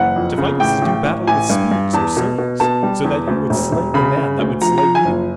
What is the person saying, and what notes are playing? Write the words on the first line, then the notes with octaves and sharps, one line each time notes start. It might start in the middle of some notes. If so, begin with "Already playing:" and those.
'To fight is to do battle with spears or swords, so that you would slay the man that would slay you.'
Already playing: F#1 E3 F#5
F2
C#3
A1 G5
A1
A1
A1 G#5
G2
G2
E2 A5
B2
B2
B2 A5
G3
E2
D2
E1
E1
C#3 B5
C#3
D2
F3 A#5
A#5
F3
G#5
F#1